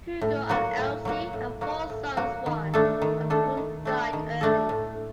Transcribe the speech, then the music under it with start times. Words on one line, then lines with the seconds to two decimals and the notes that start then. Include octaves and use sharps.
Hugo and Else had four sons, one of whom died early.
0.21 A2
0.49 F#3 A#3 F#4
0.77 A2
1.05 F#3 A#3 F#4
1.33 A2
1.61 F#3 A#3 F#4
1.90 A2
2.17 F#3 A#3 F#4
2.46 D#3
2.74 A3 D4 A4
3.02 D#3
3.30 A3 D4 A4
3.57 D#3
3.85 A3 D4 A4
4.13 D#3
4.41 A3 D4 A4
4.69 A2